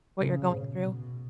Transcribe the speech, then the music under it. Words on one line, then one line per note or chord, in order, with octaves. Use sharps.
what you're going through.
C#3
B2
B2